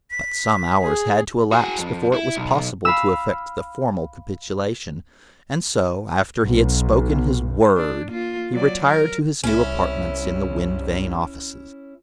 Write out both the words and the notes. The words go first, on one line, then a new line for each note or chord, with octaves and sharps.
But some hours had to elapse before it was possible to effect the formal capitulation, and so after he had spoken his "Word" he retired to his new apartments in the wind-vane offices.
B6
G#4
F#4 G#4
F2
E4
B1
F5 B5 E6
B1
D4
A#3 F4
F#3 D5
A#4
C2 C#4 E4